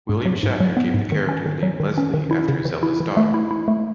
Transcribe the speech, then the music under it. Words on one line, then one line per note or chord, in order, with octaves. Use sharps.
William Shatner gave the character the name Leslie after his eldest daughter.
G#2
F#3
G#2
F#3
B3
G#2
D#3
C#4
D#3
F#3
D#3
C#4
D#3
E4
C#3
E3
E4
E3
A3
E4
E4
A3